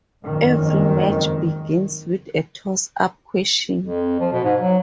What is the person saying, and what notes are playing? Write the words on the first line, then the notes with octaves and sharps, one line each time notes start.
Every match begins with a toss-up question.
F#1 F2 G#2 D#3
F2
F3
B2
G#2
F#3